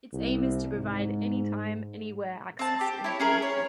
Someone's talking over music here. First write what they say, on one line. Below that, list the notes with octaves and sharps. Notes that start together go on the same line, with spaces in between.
Its aim is to provide "Anytime, Anywhere access" to information.
C2
G#2
C4 A5
G4
E4 C#5
C#4 G#4 A#4
C#5